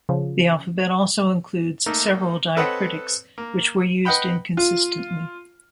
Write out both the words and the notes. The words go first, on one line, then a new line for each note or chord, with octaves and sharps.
The alphabet also includes several diacritics, which were used inconsistently.
C#3 F3
A3 A#3 D#4
C4 A4 B4 C#5 D#5 F#5
A#3
B4 D#5 F#5 G5 B5
F4